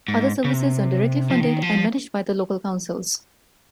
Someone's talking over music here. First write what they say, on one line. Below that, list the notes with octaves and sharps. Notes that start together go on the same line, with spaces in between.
Other services are directly funded and managed by the local councils.
G#2
C#3
C3
F3
D#3
F3